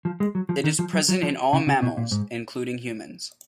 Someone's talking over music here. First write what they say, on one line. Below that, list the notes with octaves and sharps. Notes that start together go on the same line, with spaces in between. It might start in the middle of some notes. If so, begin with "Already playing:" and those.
It is present in all mammals, including humans.
F3
G#3
F#3
F3
D#3
F3
F#3
F#3
F3
C#3
C#3
B2
A#2
G#2